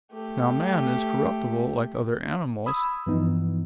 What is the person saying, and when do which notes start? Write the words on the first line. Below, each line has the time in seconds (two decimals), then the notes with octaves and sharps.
Now man is corruptible like other animals.
0.12 A3 G4
2.66 B5 D#6 E6 G#6
3.06 G2 E3 F3 B3 D#4